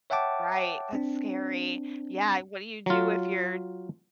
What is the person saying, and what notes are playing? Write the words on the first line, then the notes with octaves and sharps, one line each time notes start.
Right, that's scary. Yeah, what do you do if your
C#5 E5 F#5 G5 A5 D6
C4 D4
F#3 F4